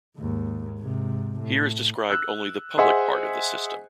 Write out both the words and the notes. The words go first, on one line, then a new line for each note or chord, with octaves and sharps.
Here is described only the public part of the system.
D#2 G#2
G#2 C3
A2
E6 F#6
G#4 C5 D#5 E5 F#5 G#5